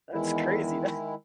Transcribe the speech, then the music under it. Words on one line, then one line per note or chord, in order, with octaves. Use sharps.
that's crazy. That
E2 D#3 G#3 E4